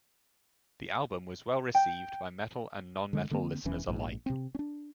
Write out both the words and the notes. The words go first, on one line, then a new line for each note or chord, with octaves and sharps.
The album was well received by metal and non-metal listeners alike.
G5
D3 G#3
D3 A#3 C4
E1 E2 E3 C#4
A#1 G#2
C3 C4
C#4 D4